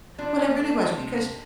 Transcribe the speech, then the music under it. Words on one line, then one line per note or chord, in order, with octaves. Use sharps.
What it really was because,
F3 D4
A3
C3